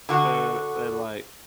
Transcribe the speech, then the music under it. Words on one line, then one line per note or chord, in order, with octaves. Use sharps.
uh, and, like
D3 F#4